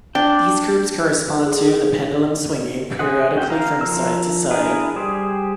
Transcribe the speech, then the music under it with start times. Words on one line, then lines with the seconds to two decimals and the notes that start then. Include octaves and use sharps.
These curves correspond to the pendulum swinging periodically from side to side.
0.15 D4 G5
1.45 G#4
2.99 G#4 C5 D#5 F#5
3.36 C#4 F#4 G5
3.50 F5 A#5
3.81 F3 A#4 E6
4.51 D4 E4 G#4 A#4
4.96 G3 G4 G#4 C5